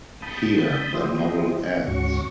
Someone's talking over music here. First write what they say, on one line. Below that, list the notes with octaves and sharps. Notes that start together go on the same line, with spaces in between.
Here the novel ends.
A5 B5 D#6 G6
F3 E4 G4 C5 D#5
D2 G#2 C#4 F#4 C#6